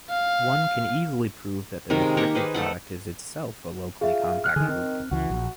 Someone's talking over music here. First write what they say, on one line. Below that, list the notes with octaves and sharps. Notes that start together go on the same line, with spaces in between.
One can easily prove that the restricted product is itself a locally compact group.
F5
C3 D#3 A#4
G#3
A#3 G4 A#5 C#6
D#4 G#4 B4 C5
A3 A4 F#5
F4 G#4 E5
F6 F#6
D3 D#3 G#4
D#3 C4
C#2 E3 F#4
A#1